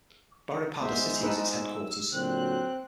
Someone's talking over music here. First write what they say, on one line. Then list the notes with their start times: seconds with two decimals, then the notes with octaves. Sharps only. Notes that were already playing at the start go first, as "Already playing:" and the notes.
Baripada city is its headquarters.
0.81 G#2 B3 G#4 C5 E5
1.23 D#4 A4 B4 E6
2.13 A#2 D3 F#3 C4 F#6